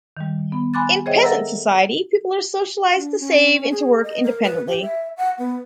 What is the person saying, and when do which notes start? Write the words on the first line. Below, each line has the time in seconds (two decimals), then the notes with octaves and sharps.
In peasant society, people are socialized to save and to work independently.
0.17 D#3 G3
0.52 B3
0.74 G#5 B5 C6 D6 F#6 A6
1.06 G#4 C5 C#5 D#5 E5 G5
1.23 A4 A#4 E5 F#5 A#5 E6
2.95 D4
3.20 C#4
3.71 G#4
4.03 D#5
4.23 A#4
4.43 B4
4.67 G4
4.82 E5
5.17 F#5
5.38 B3